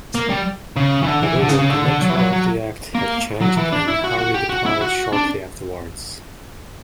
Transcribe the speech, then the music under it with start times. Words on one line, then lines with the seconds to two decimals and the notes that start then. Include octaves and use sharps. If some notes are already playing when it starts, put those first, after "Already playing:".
However, the nature of the act had changed and Harvey departed shortly afterwards.
0.15 A#3
0.29 G3
0.76 C#3
1.03 E3
1.07 D3
1.23 E3
1.39 D3
1.48 C#3
1.59 C#3
1.70 D3
1.85 D3
2.02 F#3
2.10 E3
2.17 F#3
2.33 F#3
2.95 A#3
3.41 F#3
3.57 E3
3.72 D4
3.88 E4
4.04 F#4
4.18 F#4
4.34 G4
4.49 F#4
4.66 E4
4.81 F#4
5.13 D4